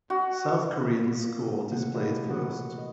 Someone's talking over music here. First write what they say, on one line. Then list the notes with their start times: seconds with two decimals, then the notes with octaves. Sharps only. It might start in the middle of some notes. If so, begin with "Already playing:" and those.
South Korean's score displayed first.
0.10 F#4
1.04 A#3 B3
1.71 C3 D#3 A3 A#3 C#4 F#5
1.94 A#2 E3 G4 A4 B4 D#5
2.27 E3 F3 F#4 A#4 B4 F#5
2.55 C#4
2.78 D#5